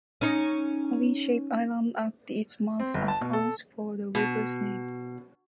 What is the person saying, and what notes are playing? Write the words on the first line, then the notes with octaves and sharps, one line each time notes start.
A wing-shaped island at its mouth accounts for the river's name.
C#4 D#4
C4
G1
A5
B2
A4
B2